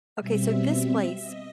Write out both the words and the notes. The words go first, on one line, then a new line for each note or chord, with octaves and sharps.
Okay, so this place
B2 G3 C4 E5
E5
D#5